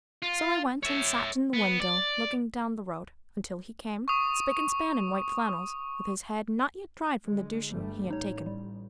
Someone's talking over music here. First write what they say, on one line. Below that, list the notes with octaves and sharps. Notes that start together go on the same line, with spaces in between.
So I went and sat in the window looking down the road, until he came, spick and span in white flannels, with his head not yet dried from the douching he had taken.
F4
C#5 E5
B3
D5
C#6 D#6
D3 G#3
G1 G3 A3
A1 D#4 C#5
G3